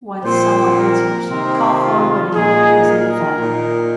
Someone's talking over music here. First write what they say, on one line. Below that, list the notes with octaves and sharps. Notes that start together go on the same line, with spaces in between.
Once someone answers, call forwarding is in effect.
A#2 F3 C4 C5
A#4
C3 D#3 C4 D#4
F4
A#2 A#3 D#4 G#4
A#4
A#2 A#3 D#4